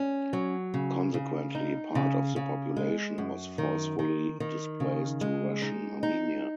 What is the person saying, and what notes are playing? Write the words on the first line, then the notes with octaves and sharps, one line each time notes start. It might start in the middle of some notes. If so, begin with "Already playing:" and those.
Consequently, part of the population was forcefully displaced to Russian Armenia.
Already playing: C#4
F#3
C#3
C#3
D#4
C#3
C#3
G#3
F#2
D#3
D#3
D#3
C#3
G#3
D#4
D#4